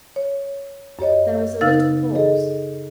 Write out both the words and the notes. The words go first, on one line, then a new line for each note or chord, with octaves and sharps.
There was a little pause.
C#5
F#2 G4 C#5 D#5
C#3 D#4 A#4 F5 E6 A6
G#4 A4 D#5